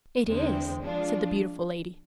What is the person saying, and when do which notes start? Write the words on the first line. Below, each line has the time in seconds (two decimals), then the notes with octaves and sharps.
"It is," said the beautiful lady.
0.25 E2 D3 G#3 C4
0.82 F3 G#3 D4 F4